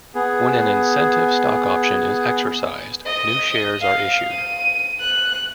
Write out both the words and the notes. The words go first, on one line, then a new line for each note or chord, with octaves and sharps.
When an incentive stock option is exercised, new shares are issued.
B3 G#4
D#5
F5
D#7
F#6